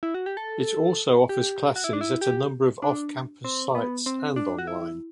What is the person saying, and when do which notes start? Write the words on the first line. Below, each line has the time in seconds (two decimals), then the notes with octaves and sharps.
It also offers classes at a number of off-campus sites and online.
0.03 E4
0.14 F#4
0.26 G4
0.37 A4
1.29 G4
1.76 F#4
1.84 E4
1.93 D4
2.01 E4
2.21 G4
2.82 D4
3.44 C4
3.75 B3
4.06 C4
4.36 D4
4.58 F#4
4.67 E4